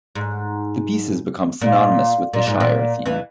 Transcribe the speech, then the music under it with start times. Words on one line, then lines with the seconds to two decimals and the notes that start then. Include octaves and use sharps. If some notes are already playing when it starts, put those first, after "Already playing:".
The piece has become synonymous with the Shire theme.
0.15 G#2
1.61 A#2
2.33 A#2
2.47 G#2
2.60 A#2
3.05 E2 E3